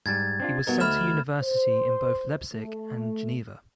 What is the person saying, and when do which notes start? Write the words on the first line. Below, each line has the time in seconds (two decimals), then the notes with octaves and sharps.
He was sent to university in both Leipzig and Geneva.
0.06 G#2 G3 G#6 A6
0.40 C4 D4 F4
0.67 G2 B2 D#4 F#4 A#4
0.80 D2 E5 B5 F6 E7
1.42 C5
2.54 A3